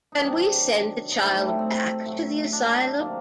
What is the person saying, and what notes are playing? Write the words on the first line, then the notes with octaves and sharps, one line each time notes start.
Can we send the child back to the asylum?
D#4
C3 D#3 F#3 D4
C3 F#3 D#4
A3
G3
A3
C4
A2 F#3
D4
C3 D#3 F#3 A#3